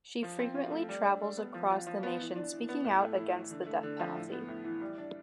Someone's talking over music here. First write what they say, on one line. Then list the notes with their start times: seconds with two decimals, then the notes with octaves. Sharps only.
She frequently travels across the nation speaking out against the death penalty.
0.23 F3
0.40 C4
0.55 F4
0.71 A3
0.89 G3
1.04 D4
1.21 G3
1.37 B3
1.54 F3
1.70 F4
1.87 F3
2.03 B3
2.20 E3
2.36 D4
2.52 E3
2.69 B3
2.84 A2
3.02 A3
3.18 E4
3.34 E3
3.51 D3
3.66 A3
3.83 D3
4.00 F3
4.16 A2
4.32 B3
4.48 A2
4.64 E3
4.81 G3
4.98 D4